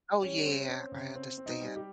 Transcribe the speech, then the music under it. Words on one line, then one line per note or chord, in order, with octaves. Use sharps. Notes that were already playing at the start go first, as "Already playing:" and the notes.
Oh, yeah. I understand.
G3 C#4
C4
C4
C#3
C4
C4
D#4
G3
G4